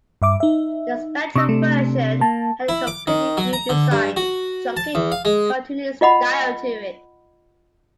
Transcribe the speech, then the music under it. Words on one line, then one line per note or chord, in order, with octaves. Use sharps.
The Spectrum version had a completely redesigned, chunky, cartoony style to it.
G2 E5 D6
D#4 E5
C3 D4 C#6 D#6 E6
A3
A#3 A5
E4
D6
D#3
F#3
A#5
D3
G2
F#4
A5
E2
F5
G#3
F4 D#5 F#5 B5